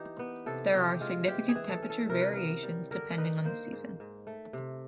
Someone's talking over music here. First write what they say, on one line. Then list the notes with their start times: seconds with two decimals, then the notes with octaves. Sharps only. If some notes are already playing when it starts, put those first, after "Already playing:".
There are significant temperature variations depending on season.
Already playing: E3 D#4 G4
0.19 B3
0.46 C3 A4
0.74 C3 G4
1.01 G#3 F4
1.28 E3 G4
1.48 G#4
1.55 E3
1.69 A4
1.82 C#4
1.90 A4
2.10 C3 A#4
2.21 B4
2.34 B3 A#4
2.63 G3
2.91 D3 A#4
3.18 D#4 B4
3.45 A#3 C5
3.73 G#2
4.00 G#2
4.27 A3
4.53 C3